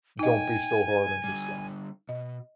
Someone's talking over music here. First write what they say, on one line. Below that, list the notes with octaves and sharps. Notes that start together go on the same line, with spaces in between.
don't be so hard on yourself.
D#4 D#5 G5 G#5
D3 G3
B2 D#5